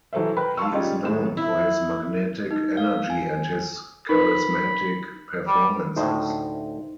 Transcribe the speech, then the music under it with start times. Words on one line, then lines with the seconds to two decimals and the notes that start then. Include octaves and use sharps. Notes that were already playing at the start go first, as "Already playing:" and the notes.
He is known for his magnetic energy and his charismatic performances.
0.13 E3 F#3 A4 C5 E5
0.36 A#4 B4 G5 B5
0.57 F5 A5 C6 C#6 E6
0.72 G3 C#4 D#4 F4 G4 G#4
1.03 D#2 A2 G#4 E7
1.37 E4
2.51 D#4
2.77 F5
3.10 G#5
4.09 D#4 A#4 B4 B5
5.47 G3
5.96 D2 A2 D#4 C5